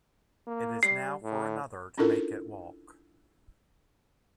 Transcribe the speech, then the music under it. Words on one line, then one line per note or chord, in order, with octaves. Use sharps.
It is now for another to make it walk.
A#3
G3 C7
A2
C#4 D4 E4 F4 A4 A#4